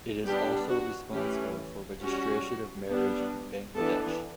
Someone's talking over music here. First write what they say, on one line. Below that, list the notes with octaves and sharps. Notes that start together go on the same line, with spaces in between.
It is also responsible for registration of marriage in Bangladesh.
G3 B3 D4 G4
F#4
E3 A3 C#4 G4
G3 C#4 F#4
G3 B3 D4
E3 B3 D4 A4